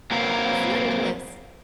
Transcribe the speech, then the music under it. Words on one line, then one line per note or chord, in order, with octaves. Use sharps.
It's limitless.
F#3 A#3 C4 A#4 B4 F5